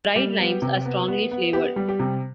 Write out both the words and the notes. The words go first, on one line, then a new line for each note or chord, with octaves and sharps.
Dried limes are strongly flavored.
G3 G4
B3
C3
B3
B3
B3
B3 G4
G3
G4
C3